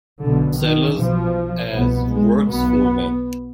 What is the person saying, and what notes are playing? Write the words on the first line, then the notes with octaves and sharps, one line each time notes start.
Sellars as Works Foreman.
B1 B2 D3
D#3
B1 B2 F3
C2 B2 B3
G#3
B1 B2 B3